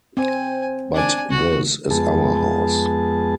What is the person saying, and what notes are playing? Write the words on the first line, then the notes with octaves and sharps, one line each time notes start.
But this is our house.
C4 G#5
D4 G#5
F#4
F2 G#3 B3 G#4 A5